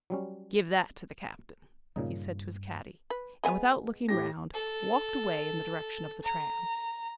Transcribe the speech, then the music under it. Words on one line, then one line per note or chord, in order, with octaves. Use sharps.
"Give that to the Captain," he said to his caddie, and without looking round, walked away in the direction of the tram.
F#3 G3 C#4
G2 A#2 C#3 D#4
B4
G#3 B3 G#5
A2 G4 A#6
A4
A#5